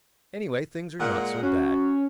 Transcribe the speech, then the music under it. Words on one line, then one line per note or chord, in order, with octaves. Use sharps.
Anyway, things are not so bad.
A#2 G#3 F#5
C#4 F#4